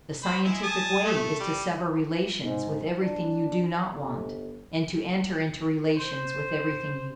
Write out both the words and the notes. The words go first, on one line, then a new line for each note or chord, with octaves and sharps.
The scientific way is to sever relations with everything you do not want, and to enter into relations with everything you do want.
C5 B5
G#3 E4
G#5 A5 D#6
A3
G3
G#2
D4
G1
C5